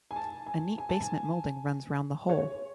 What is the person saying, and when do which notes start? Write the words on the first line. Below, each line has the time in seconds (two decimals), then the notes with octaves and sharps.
A neat basement molding runs round the whole.
0.11 G#5
0.16 A5
0.46 G#5
0.78 G#5
0.89 A5
1.00 G#5
2.29 C#5